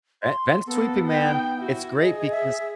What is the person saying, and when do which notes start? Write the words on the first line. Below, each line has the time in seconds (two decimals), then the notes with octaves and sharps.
Vent vent-sweeping, man, it's great because
0.23 C6
0.66 A#3 B3 A4
1.08 D#4 G5
1.58 E4 F#4
2.00 G#4 D#5
2.31 E5